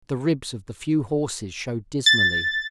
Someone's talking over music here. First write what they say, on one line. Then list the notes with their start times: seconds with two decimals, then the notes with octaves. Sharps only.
The ribs of the few horses showed dismally.
2.06 A6